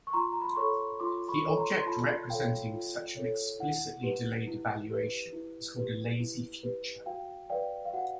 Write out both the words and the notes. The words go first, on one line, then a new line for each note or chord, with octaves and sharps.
The object representing such an explicitly delayed evaluation is called a lazy future.
C#6
F4 A#5 C6
A#5
B5
C6
A4 C#5 B5 C#6
F4 C6 D6
B5 C#6
A4 C#5
A#5 C6
C6
F4 A5 B5
A4 C#5 F5 G5
F4
A4 C#5
E4 F#5
G4 B4
E4
G4 B4
E4
G4 B4
E4
G4 B4
F#4 F5 G5
B4 D5 F5 G5
F5
F#4 F#5